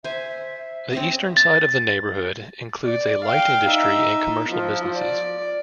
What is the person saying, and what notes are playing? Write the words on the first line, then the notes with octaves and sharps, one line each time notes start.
The eastern side of the neighborhood includes a light-industry and commercial businesses.
C5 E5 G#5
C4 C#4 D#5
A6
D5
F5 G5
D#4 E5
F3
D5